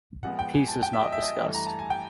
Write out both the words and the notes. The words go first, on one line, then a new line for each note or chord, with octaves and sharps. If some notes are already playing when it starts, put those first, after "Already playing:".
Peace is not discussed.
A#2 F3 G#3 B3 F#5
G5
G#5
A5
G5
E5
D#5
E5
D#5
G2 E3 A3
A#5
A5
G#5
G5